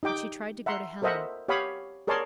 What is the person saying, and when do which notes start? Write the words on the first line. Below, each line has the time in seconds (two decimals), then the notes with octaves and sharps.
But she tried to go to Helen.
0.03 D#4 G4 G5 D6
0.66 E5 F#5 A#5 C6
1.02 A4 A#4 C5 D#5 E5 F#5
1.48 G4 C#5 F5 F#5 B5 D#6
2.07 G#4 A#4 C#5 D5 A5 C6